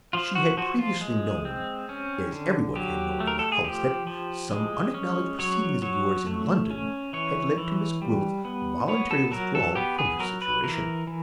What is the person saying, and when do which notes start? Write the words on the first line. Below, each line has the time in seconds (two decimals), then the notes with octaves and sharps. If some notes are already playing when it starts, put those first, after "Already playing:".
She had previously known, as everybody had known in the house, that some unacknowledged proceedings of yours in London had led to Miss Gwilt's voluntary withdrawal from her situation.
0.13 F3 F4
0.35 F#4
0.57 F3 F#4
0.79 F4
1.01 G#3
1.45 C4
1.89 C#4
2.32 D3
2.76 F#3 G4
3.20 A3
3.27 A#4
3.39 A4
3.52 G#4
3.64 F3 G4
4.07 F3
4.51 G#3
4.94 C#4
5.39 F#3 C#5
5.82 F#3 C#5
6.27 A3
6.70 C#4
7.13 E3 C#5
7.58 E3
8.02 G3
8.45 B3
8.88 B3 C#5
9.11 A4
9.32 F#3 A#4
9.55 A4
9.75 B3 G4
9.99 G#4
10.19 F#3 A#4
10.42 B4
10.64 E3 A#4
11.07 E3